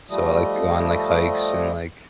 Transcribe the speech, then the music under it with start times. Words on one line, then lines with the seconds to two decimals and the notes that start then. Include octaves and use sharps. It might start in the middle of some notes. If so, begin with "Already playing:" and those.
So I like to go on, like, hikes and, like,
0.10 F3 G3 A3 D#5